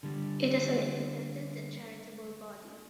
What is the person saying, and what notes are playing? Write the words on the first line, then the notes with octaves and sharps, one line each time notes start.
It is an independent and charitable body.
D3 G3